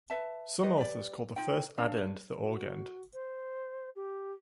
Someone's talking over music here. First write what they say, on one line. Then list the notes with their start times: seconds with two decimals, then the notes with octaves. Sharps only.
Some authors call the first addend the "augend".
0.10 B4 E5 A5
0.63 F4 G4 B4 D#5
0.78 G4 B4 D5
1.36 D#4 F4 G5
1.78 D4 C#5 F5
2.42 F#4
3.13 C5
3.96 G4